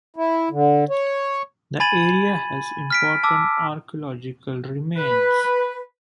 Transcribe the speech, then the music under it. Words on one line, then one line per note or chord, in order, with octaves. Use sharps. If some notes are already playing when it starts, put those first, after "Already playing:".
The area has important archaeological remains.
E4
D3
C#5
G#5 B5 G#6 A6 D#7 F#7
F6 B6 D7
A5 D6 E6
B4